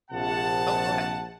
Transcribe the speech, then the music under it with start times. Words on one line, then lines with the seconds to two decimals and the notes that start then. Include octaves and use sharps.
oh, go ahead.
0.11 A#1 C3 F#5 A5